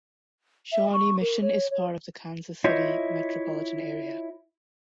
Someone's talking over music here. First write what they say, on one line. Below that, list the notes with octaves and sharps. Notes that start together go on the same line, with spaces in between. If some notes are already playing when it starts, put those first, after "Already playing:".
Shawnee Mission is part of the Kansas City Metropolitan Area.
E5
C#6
A#4
C#5
C#5
E4 F4 C5 C#5 D#5 E5